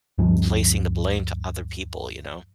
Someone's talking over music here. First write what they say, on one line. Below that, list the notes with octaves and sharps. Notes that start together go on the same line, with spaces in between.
placing the blame to other people, you know?
D2 G2 F3 G#3